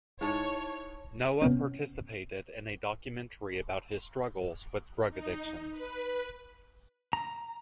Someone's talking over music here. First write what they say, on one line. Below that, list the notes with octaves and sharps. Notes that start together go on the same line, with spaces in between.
Noah participated in a documentary about his struggles with drug addiction.
G#2 E4 C#5 A5
C3 B3 C#4
D#4
B4
A#5